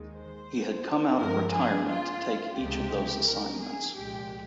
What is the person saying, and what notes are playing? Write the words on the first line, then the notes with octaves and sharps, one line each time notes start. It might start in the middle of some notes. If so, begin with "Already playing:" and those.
He had come out of retirement to take each of those assignments.
Already playing: D#2 D#3 G#3
C5
G2 F3 G#3 A#4
G#4
F4
C#2 C3 F3 G#3 G4
A#4
G#4
C2 A#2 F3 G#3 G4